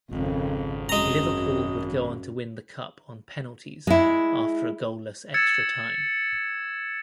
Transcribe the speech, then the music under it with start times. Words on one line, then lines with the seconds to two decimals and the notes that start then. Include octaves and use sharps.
Liverpool would go on to win the Cup on penalties after a goalless extra-time.
0.11 G#1 F2 C#3
0.89 F#2 G#3 A#5
3.87 G#3 E4
5.34 E6 G#6 A6 C#7 E7